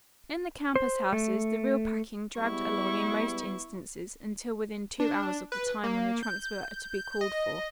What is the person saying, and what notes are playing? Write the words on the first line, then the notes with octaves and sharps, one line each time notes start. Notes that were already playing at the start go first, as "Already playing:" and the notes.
In the campus houses the real packing dragged along in most instances until within two hours of the time when the trunks were to be called for.
C5
A3
G3 G#3 B3 E4 C#6
D4
B4
A#3
G6
G6
D#5